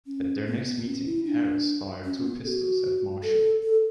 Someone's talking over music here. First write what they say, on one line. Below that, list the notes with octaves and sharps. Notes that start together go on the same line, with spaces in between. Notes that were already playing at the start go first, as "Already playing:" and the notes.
At their next meeting, Harris fired two pistols at Marshall.
C#4
B3
B3
C#4
E4
D4
C#4
B3
A4
F#4
A4
A4